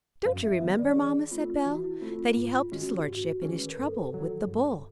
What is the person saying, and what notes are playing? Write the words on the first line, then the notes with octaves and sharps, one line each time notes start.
"Don't you remember, mamma," said Bell, "that he helped his lordship in his trouble with the bull?"
F#2 F5
E5
D#3 G3 B3
D5
E3 G#4
A3 C4 F4
E3 F#4
E4
A3 C4 F4
F4
G#2 F4
F4
D#3 G#3 C#4 F#4
G4
G#2 F#4
D#3 G#3 C#4 G#4
B4
A#4
G2 A4
D#3 F#3 A4
G2 G#4